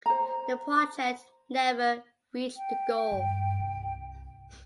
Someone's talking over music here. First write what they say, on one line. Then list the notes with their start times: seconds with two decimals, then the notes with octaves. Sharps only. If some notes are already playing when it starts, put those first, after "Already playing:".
The project never reached the goal.
0.06 C5 A#5
2.57 G5
3.12 G2
3.60 C2